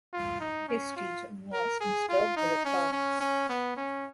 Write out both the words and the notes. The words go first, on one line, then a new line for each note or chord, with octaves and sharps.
His teacher was a Mr. Brefhard.
F4
D#4
C#4
F4
A#4
G#4
F4
D#4
C#4
C#4
C#4
B3
C#4